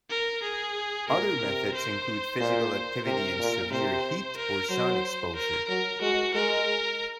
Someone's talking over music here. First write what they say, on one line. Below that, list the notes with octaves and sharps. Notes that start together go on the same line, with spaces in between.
Other methods include physical activity in severe heat or sun exposure.
A#4
G#4
A#2 A#4
C3
C5
A#2 C5
C3 A#4
A#2
C3 C5
A#4
F#3 C5
A#4
F#3 A#4
G#3 F#4
G#3 A#4